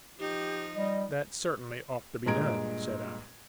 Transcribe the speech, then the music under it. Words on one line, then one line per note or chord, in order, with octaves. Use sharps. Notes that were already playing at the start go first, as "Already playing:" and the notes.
"That certainly ought to be done," said I.
F3 D#4 G4
G3 D#5
G2 A#2 G#3 A#5 G#6 D7